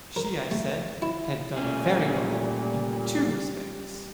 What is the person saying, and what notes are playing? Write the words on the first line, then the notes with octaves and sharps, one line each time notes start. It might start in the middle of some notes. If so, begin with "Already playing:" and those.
She I said had done very wrong in two respects.
A#4
A3
E4
A#2 G3 A3 C#4 G#4